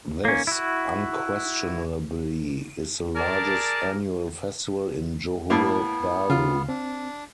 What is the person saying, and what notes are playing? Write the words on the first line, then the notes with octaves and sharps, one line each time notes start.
This unquestionably is the largest annual festival in Johor Bahru.
A#3 C#4
E4 F#4
G#4 A#4 D5 A5
A2 A#3 B3 E4 A5
C#3 F4
C4 D4